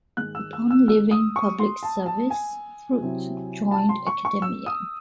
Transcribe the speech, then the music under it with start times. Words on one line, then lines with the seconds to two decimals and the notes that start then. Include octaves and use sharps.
Upon leaving public service, Fuerth joined academia.
0.17 G#2 D#3 G#3 F#6
0.35 E6
0.53 E6
0.71 E6
0.88 E6
1.11 D#6
1.36 C#6
1.59 C6
1.83 A5
2.06 A5
2.30 G#5
3.01 C3 F#3 C4 E4
3.71 A5
3.89 C6
4.07 C#6
4.25 C#6
4.42 E6
4.66 D#6